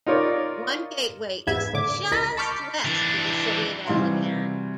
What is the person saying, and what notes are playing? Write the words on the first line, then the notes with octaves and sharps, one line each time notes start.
One gateway is just west of the city of Allegan.
D#4 F4 A#4 C#5 D5
E2 G#2 B3 E5 G#6
A2 D3 D6
C#2 A#4 D#5 B5
A5 B5 C#6 D6 F6 G6
E3 D4
C3 E3 G3 F#4 F5 C6